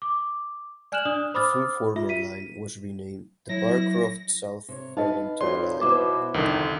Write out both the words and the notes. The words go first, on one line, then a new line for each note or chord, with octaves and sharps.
The full former line was renamed the "Barcroft–South Fairlington Line".
D6
D5 G#5 F6 F#6 E7 F#7
D4 D5 D#6
C5 B5 D6 D#6 F6 A6
F4 E5
B6 D#7
F#3 E4 A#6
C3 C#5
D#4 B4 D#5 F5
F2 F#4 C#5 D5 C6
B2 E4 B4 C5 D6
C2 F2 D3 D#3